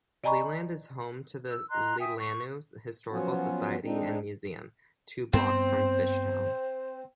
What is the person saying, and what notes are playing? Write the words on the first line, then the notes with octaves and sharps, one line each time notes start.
Leland is home to the Leelanau Historical Society and Museum, two blocks from Fishtown.
D5 D#5 G#5 A#5 B5 C#6
E6
D#5 A#5 C6 F#6
E5 G5 G#5 D#6
C#6
F3 F#3 B3 C#4 F4 F#4
G#3 C4 D4 D#4
G2 B3 C4 C5